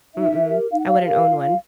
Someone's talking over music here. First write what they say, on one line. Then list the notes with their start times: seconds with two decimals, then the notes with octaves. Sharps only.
Mm-mm, I wouldn't own one.
0.15 D#4 E5
0.43 A#4
0.48 G4
0.72 D#4 F5
0.79 F#5
0.86 F5
1.00 G4 A#4
1.29 F4